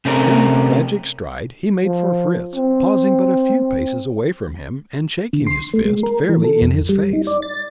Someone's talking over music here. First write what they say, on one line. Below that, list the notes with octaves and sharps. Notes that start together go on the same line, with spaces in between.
Then, with a tragic stride, he made for Fritz, pausing but a few paces away from him, and shaking his fist fairly in his face.
C3 A3 C4 C#4 A#4
F3
C4
D3
C6
A3
G#3
A#4
E3
A4
F2
G3
D#4
D5
A6